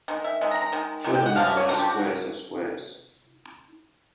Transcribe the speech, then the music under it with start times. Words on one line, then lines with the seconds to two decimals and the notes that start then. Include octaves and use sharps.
Furthermore, they are squares of squares.
0.08 D#3 G#3
0.24 E5
0.41 D#3 G#3
0.51 A#5
0.62 A#5
0.72 D#3 G#3
1.04 D#3 G#3
1.15 G5
1.26 F#5
1.36 D3 F3 A#3 D4 F5
1.47 E5
1.57 C#5
1.68 D3 F3 A#3 D4
1.79 G4
1.89 F#4